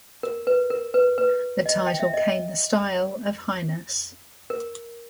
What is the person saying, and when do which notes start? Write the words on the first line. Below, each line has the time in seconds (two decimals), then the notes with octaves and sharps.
The title came the style of Highness.
0.23 A#4
0.47 B4
0.70 A#4
0.94 B4
1.18 B4
1.66 D#5
1.86 G5
2.00 E5
2.13 D#5
4.50 A#4